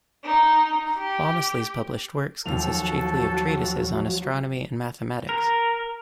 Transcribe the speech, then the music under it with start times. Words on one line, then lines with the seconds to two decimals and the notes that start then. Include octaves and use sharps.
Walmesley's published works consist chiefly of treatises on astronomy and mathematics.
0.23 D#4
0.97 G4
2.46 D#2 F3 F#3 F#4 A4 F7
5.29 A#4